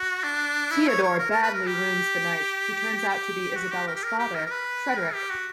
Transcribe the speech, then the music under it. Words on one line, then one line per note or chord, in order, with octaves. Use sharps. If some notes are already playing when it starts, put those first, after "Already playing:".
Theodore badly wounds the knight, who turns out to be Isabella's father, Frederic.
Already playing: F#4
D4
E4
C#5
C#5
A#4
A#4
B4
A#4
G4
G4
F#4
G4
A#4
G4
A#4
G4
A#4
A#4
B4
A#4
G4
F#4